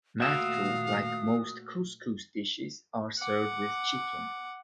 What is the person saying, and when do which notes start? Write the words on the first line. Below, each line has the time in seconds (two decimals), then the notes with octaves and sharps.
Maftool, like most couscous dishes, are served with chicken.
0.20 A#2 D#3 A3 F#4 E5 F5 D#6
3.18 F#5 D6